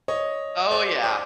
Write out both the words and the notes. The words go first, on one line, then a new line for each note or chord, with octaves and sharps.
Oh, yeah.
C#5 D#5
C5 D5
C5 D5